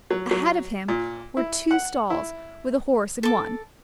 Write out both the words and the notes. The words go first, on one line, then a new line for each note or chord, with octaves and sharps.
Ahead of him were two stalls, with a horse in one.
F#3
F#3
A#2
E4
F#5
E4
A4 D6